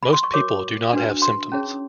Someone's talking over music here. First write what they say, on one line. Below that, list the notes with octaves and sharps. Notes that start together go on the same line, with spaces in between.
Most people do not have symptoms.
B5
C6
C#6
F#4 A#4 C#5 D6
D4 F#4 B4
C6
C#4 E4 G#4 C#5